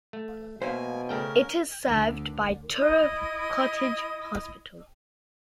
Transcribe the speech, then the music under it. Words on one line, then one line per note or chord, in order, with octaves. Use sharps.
It is served by Turriff Cottage Hospital.
A3
B2 A#3 C5 E5 F5 G#5
C#3 A3 C#4 A#4 G5
D2 D3
E4 D#5 D#6